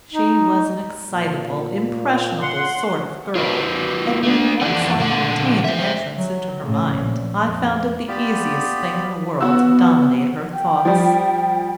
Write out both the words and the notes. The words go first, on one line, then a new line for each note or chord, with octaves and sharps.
She was an excitable, impressionable sort of girl, and when once I had obtained an entrance into her mind I found it the easiest thing in the world to dominate her thoughts.
D#4
A#2
F#5 C6
F4 A#4 B4
A3 D4
F2 E3 A4 D5 F#5
A#2 D3 A4 F#5
C5 E5
F#3
A2 C#3
A#1
F2
B3 F4 G4 D5 B5
B3 F#4 E6
G5
F3 G3